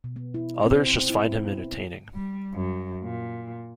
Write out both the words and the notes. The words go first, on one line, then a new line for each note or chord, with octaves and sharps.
Others just find him entertaining.
B2
B3
E4
C4
C5
E4
B3
G3
F#2
A#2